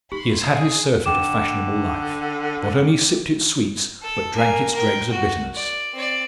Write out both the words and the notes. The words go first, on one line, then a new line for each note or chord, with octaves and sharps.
He has had his surfeit of fashionable life; not only sipped its sweets, but drank its dregs of bitterness.
D#4 G4 B5 C6
D3 G#4 D#5
D3 G5 D6 E7
A4
A#3 G#5
A#4 G5
F#4
D5
C4 D5